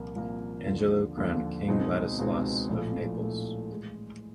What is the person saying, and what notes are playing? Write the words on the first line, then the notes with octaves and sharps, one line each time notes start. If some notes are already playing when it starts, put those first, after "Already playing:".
Angelo crowned king Ladislaus of Naples.
Already playing: C2 A#2 F3 A#3
C2 A#2 F3 A#3
D#2 D3 F3
D#2 D3 F3
C#2 B2 G#3 C4 D#4
C#2 B2 G#3 C4 D#4
A#1 A2 F3 A3
A#1 A2 F3 A3
A2 E3 G#3